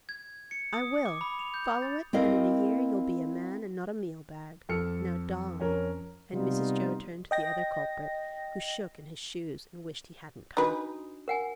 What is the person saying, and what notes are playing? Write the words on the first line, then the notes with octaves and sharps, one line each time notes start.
'I will; follow it, and in a year you'll be a man and not a meal-bag. Now, Dolly'; and Mrs Jo turned to the other culprit, who shook in his shoes and wished he hadn't come.
G#6
C#7
D#6
D6
B5
F7
G6
A6
C4 E4 A#4 D#5 F5
F2 A4 F6 C#7
F2 C#4 A#4
C3 G3 B3 D#4 F4
D#5 G5 A#6
D4 D#4 F#4 B4 D#6
A#4 F#5 G#5